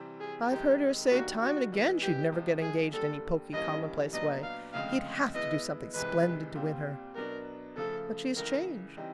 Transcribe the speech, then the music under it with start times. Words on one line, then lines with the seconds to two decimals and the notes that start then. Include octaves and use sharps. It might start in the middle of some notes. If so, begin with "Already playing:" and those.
I've heard her say time and again she'd never get engaged any poky commonplace way . . . he'd HAVE to do something splendid to win her. But she has changed.
Already playing: C3 E3 G3 C4
0.20 G#4
0.50 F#2 D#3 G#3 C4 G4
1.11 D#2 D#3 G3 A#3 D4 F#4
1.41 F#4
1.72 E3 G#3 B3
2.02 G4
2.32 C3 F3 G#3
2.62 G#4
2.93 D#2 D3 G3 A4
3.53 G2 E3 G3 A#3 C#4 D#5
4.13 A#2 F#3 B3 D4 D#5
4.43 F5
4.73 D2 C#3 F3 G#3 C4 F5
5.34 B2 G#3 B3 E4 D#5
5.94 C2 C3 E3 G#3 B4
6.55 A#2 G3 C4 F4
7.15 B2 F#3 B3 D4 A#4
7.77 C#3 F3 A3 A4
8.37 C#2 C#3 E3 A#4
8.97 E3 G3 C4 D#4